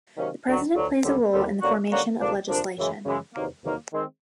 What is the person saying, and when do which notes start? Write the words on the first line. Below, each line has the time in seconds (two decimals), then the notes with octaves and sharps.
The president plays a role in the formation of legislation.
0.17 C3 D#3 F#3 A#3 C#4
0.47 D2 D3 F#3
0.76 D2 D3 F#3
1.04 D#2 D3 G3 C4
1.32 D#2 D3 G3 C4
1.61 D3 G3 A#3 C#4 F#4
1.90 D3 G3 A#3 C#4 F#4
2.19 D2 C3 F3 A#3 D4
2.47 D2 C3 F3 A#3 D4
2.77 F#2 C#3 E3 G#3
3.05 F#2 C#3 E3 G#3
3.34 E2 C3 D#3 F#3 A#3
3.62 E2 C3 D#3 F#3 A#3
3.92 D#3 G#3 C4